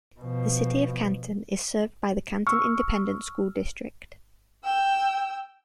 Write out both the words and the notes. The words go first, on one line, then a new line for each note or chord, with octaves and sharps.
The City of Canton is served by the Canton Independent School District.
B2 F3
C#6 E6 F6
G5 E6